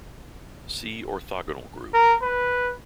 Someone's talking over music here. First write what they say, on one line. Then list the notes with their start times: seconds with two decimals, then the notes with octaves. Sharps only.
See orthogonal group.
1.94 A#4
2.23 B4